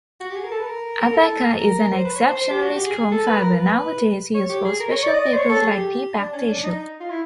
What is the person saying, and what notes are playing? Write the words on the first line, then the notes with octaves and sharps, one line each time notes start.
Abaca is an exceptionally strong fibre, nowadays used for special papers like teabag tissue.
F#4
G4
G#4
A#4
A4
B4
A#4
A#4
A4
A#4
C5
B4
C#5
C5
C5
G4
F#4
G4
G#4
G#4
A4
B4
A#4
B4
C#5
G4
G#4
A#4
C#5
D5
D#5
D5
C5
C#5
A4
G#4
G4
D4
C#4
D4
D#4
F4
E4